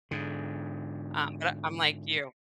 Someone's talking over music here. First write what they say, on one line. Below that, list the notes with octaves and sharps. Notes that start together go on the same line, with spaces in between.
Um, but a I'm like you
G#2 D3